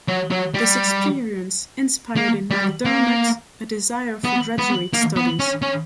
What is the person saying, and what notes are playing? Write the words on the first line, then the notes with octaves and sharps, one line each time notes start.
This experience inspired in McDermott a desire for graduate studies.
F#3
F#3
G3
A#3
G3
A#3
B3
B3
A#3
B3
C#4
C#4